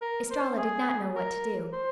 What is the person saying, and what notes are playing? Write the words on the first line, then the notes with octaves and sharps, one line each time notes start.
Estralla did not know what to do.
A#4
C5
G#4
A#4
C5